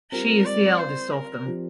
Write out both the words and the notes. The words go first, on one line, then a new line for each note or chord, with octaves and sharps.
She is the eldest of them.
G3 C4 F4 A#4
D5
C5
A#4
F3 C4 G4